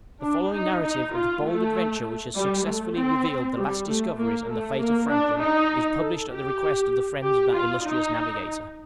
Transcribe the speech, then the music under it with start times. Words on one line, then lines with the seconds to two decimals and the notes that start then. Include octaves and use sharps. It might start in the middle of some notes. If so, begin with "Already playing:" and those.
The following narrative of the bold adventure which has successfully revealed the last discoveries and the fate of Franklin, is published at the request of the friends of that illustrious navigator.
0.21 D4
0.51 D#4
0.82 D#4
1.13 F4
1.43 A3
2.35 G3
2.65 A3
2.95 C4
3.57 G3
3.87 A3
4.17 A#3
4.48 A3
4.78 A#3
5.09 D4
5.39 D#4
6.00 A4
6.30 G4
7.22 G4
7.53 F4
7.83 D#4